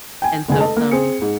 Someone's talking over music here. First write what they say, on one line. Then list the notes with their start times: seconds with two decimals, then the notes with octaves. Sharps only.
And so some
0.22 G5 G#5
0.48 F1 D3 G#3 G#5
0.60 A4 D#5 A5
0.77 A#3
0.91 C4 G#4 C#7
1.22 G#2